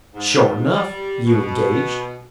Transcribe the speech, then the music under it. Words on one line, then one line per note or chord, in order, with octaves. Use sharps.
"Sure enough, you engaged?"
G#2
G3
B2